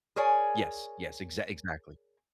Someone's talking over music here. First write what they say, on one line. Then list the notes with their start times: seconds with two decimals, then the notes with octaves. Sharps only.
Yes, yes. Exact exactly.
0.16 G#4 A#4 C#5 D5 G#5